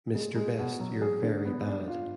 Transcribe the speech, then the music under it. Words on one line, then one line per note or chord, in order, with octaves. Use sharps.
Mr. Best You're Very Bad.
G#3
G#3
B2
F#3
G#4
D3
B3
D4
F4